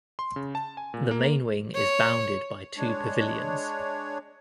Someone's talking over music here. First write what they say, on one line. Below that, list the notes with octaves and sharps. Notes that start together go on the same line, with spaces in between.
The main wing is bounded by two pavilions.
C6
C#3
A5
G#5
A#2
A#3
C#5
G#3 D4 C#5